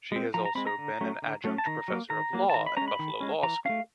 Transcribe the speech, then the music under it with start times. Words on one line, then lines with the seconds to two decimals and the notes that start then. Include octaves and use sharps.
She has also been an adjunct professor of law at Buffalo Law School.
0.12 G#3 C4
0.34 F3 A#5
0.45 A#5
0.55 G#3 C4 B5
0.67 A#5
0.79 D3
1.01 F#3 A3 C#4
1.22 D3
1.44 F#3 A3 C#4
1.58 A5
1.66 D#3 A#5
1.88 F#3 A#3
2.10 D#3 A#5
2.33 F#3 A#3
2.50 A5
2.54 D#3 A#5
2.66 B5
2.77 G#3 C#4 A#5
2.88 B5
2.99 D#3
3.21 G#3 C#4
3.43 E3 A#5
3.65 A3 C#4 F5